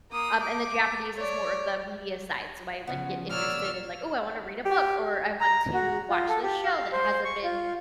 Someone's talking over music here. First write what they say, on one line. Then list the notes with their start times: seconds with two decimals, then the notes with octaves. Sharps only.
Um, and the Japanese is more of the media side. So I, like, get interested in, like, "Ooh, I wanna read a book," or "I want to watch this show that hasn't been,
0.12 A#3 D#6
0.42 D6
1.16 C#5 D5
2.87 C#3 F3 B3 C#4
3.31 A#2 A#4 C#5 D5 E6 F6
4.65 G4
5.41 A#5
5.74 F#4
6.09 F4
6.28 A4
6.43 G4
6.64 F5
6.93 C5
7.25 C#6
7.44 F4